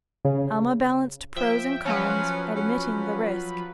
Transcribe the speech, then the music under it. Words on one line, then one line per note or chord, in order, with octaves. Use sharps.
Alma balanced pros and cons, admitting the risk.
C#3
F3 E5 G5
F3 F#3 C#4 B4
C#4